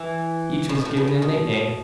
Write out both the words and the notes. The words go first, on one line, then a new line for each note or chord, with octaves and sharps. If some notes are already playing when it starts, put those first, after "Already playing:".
Each was given a nickname.
Already playing: E3
A2
B2
A2
B2
C#3
B2